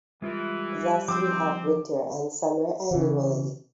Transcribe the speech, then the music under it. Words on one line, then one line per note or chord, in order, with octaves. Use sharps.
Thus we have winter and summer annually.
E3 G3 G#3 F4 A#4
F3 C4 D6
C#3 E3